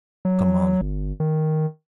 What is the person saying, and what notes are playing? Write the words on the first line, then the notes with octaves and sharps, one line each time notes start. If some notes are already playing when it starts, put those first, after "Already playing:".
Come on!
F#3
G1
D#3